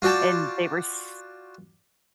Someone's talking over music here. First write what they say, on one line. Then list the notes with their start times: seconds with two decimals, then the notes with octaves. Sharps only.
and they were s
0.02 F4 F#4 D5 G5 A5